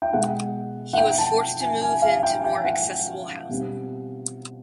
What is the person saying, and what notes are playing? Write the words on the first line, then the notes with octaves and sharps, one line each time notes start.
He was forced to move in to more accessible housing.
G5
B2 G#3 B3 F#5
F#5
G5
A5
G#5
G#5
F5
G5
G5
F#5
B2 G3 C4